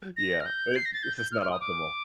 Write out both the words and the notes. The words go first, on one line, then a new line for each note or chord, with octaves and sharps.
Yeah. But it's it's just not optimal.
A#6
F6
G6
C7
A#6
A6
G6
G6
F6
F6
D#6
D6